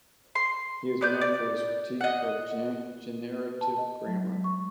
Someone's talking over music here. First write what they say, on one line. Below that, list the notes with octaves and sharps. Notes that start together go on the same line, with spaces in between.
He is known for his critique of generative grammar.
C6
B3 D5 G6
D5
D#5 F#5
A5
D#5
F#3
G#3
C#6